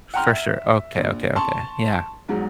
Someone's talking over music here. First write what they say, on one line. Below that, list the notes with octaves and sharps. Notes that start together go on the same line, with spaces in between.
For sure. Okay, okay, okay. Yeah.
F#5 G5 A#5 C6 F6
E5
A#1
A5 C6 C#6
E2 G#2 F#3